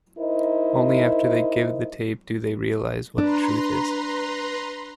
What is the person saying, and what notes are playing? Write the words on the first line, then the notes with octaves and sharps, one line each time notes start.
Only after they give the tape do they realise what the truth is.
D#4 E4 A#4 C5 D#5
D4 B4 A#5 C6